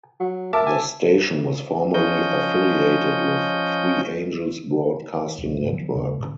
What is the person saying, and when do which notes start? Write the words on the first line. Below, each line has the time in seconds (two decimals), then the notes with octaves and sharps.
The station was formerly affiliated with Three Angels Broadcasting Network.
0.20 F#3
0.53 A#4 E5 A5 D6
0.67 G#5
1.94 F3 C#4 D#5 G6
5.38 D#1 C2
5.61 G#2 C#3
5.72 D#3 F3 F#3 B3
5.94 D#2 C#3 G#3 A#3
6.20 A#2 D3 C#4